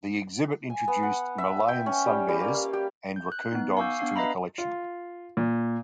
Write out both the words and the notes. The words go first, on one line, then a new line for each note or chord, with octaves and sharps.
The exhibit introduced Malayan sun bears and raccoon dogs to the collection.
G#5
B3
F#5
E5
G5
C#4
G3
G3
A#3
F5
G4
G6
F#6
B3 D#4
F5 G#5 C#6 D6 E6 G6
B3 D4 F5 C7
B4 D#5 E5 A#5 B5
F4
A#2